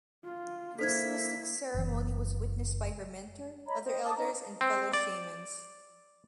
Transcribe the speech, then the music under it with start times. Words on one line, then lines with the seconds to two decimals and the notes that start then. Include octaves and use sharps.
This mystic ceremony was witnessed by her mentor, other elders and fellow shamans.
0.25 F4
0.79 A#3 E4 A4 C5 G#6 B6
1.74 F#1 E3
3.67 C#5 D#5 A#5 B5
3.85 C5 D#5 G5
4.04 A5 D6 D#6
4.17 C#4 D#4 D#5 A#5
4.61 C4
4.93 D5